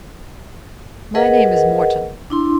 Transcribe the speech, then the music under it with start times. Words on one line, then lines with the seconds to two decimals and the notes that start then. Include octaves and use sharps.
"My name is Morton."
1.15 G#4 A#4 B4 D#5 F#5
2.30 D4 E4 C6